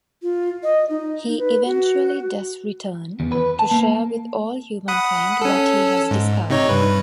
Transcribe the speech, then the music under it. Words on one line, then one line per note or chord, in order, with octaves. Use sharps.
He eventually does return, to share with all humankind what he has discovered.
F4
D#5
D#4
B4
F#4
E2
B4
A5
A#3
F#5 B5 D#6
C#4 A4
G#2
C3 D#4 C#5
G2 B4